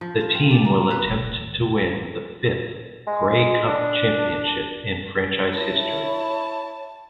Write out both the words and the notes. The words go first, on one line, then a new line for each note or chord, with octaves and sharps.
The team will attempt to win the fifth Grey Cup championship in franchise history.
F3
F4
C4
D5
A#3
B4
G#3
D4
E4 C#5 A5